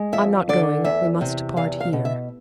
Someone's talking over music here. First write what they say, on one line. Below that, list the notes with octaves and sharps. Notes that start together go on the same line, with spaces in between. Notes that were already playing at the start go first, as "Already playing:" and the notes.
"I'm not going; we must part here."
Already playing: G#3
F2 E5
D3 D5
E2 E5
C3
E2 F5
F5
B2
E5